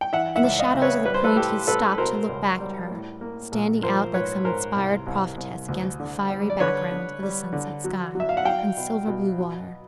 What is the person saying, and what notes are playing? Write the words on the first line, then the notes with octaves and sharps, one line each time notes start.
In the shadows of the point he stopped to look back at her, standing out like some inspired prophetess against the fiery background of the sunset sky and silver-blue water.
G5
E3 E5 F#5
E5 F#5
C#2
D#5 F5
C#3
B4 C#5
G3 B4
C5
A4 B4
A2 G4 A4
A1 A4 B4
B2 A#4 C5
C#2
G3
A2
A#3
A#1
F3 A#4 C5
G#2 B4 C#5
G#2 A#4 C5
C2
C2
C2
D2
D3
G3
D5
D3 B4 C#5
D3
G3
D3
F#3
F#3 E5
F5
F#5
F#3 F5 G5
B2
B2
F#3